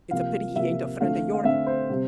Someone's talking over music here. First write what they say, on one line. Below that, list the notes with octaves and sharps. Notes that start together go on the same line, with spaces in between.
It's a pity he ain't a friend o' yourn.
C3 F3 A#3 F5
C3 F3 A#3 E5
D3 A3 C4 F5
F5
D3 A3 C4 E5
C5
C3 G3 C4